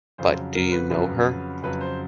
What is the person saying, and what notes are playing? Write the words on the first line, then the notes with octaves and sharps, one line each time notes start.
But do you know her?
F2 C#3 F#3 C5
A#4
B4
F2 C#3 F#3 B4
F2 C#3 F#3 B4
C5